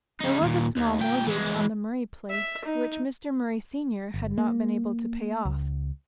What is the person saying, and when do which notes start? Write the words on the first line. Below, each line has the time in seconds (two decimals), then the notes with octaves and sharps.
There was a small mortgage on the Murray place which Mr. Murray senior had not been able to pay off.
0.21 C#3 D#4
0.41 D#2 A#2
0.77 D#2
0.99 A#2 G5
1.27 E3 G#3
2.30 E5
2.65 D#4
4.14 G1
4.38 A#3
5.45 C#2